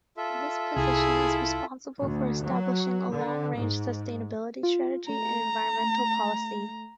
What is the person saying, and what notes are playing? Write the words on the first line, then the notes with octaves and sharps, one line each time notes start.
This position is responsible for establishing a long-range sustainability strategy and environmental policy.
F4 A4 E5
C2 E4 G#4
D2
F#3
D3
G#2
F4
A3 A#5